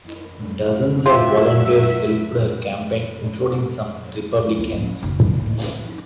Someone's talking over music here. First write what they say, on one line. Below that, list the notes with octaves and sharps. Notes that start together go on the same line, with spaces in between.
Dozens of volunteers helped her campaign, including some Republicans.
F#3 F4 G4 E5
A#3 F4
A2 C#4
F#1 B1
A2 E3
F3